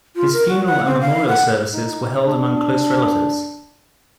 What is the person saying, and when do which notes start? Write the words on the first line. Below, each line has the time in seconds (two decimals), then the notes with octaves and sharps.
His funeral and memorial services were held among close relatives.
0.16 F4
0.33 A#4
0.48 F#4
0.66 F#5
0.86 C4
1.01 F5
1.28 F#5
1.73 D#4
2.26 D4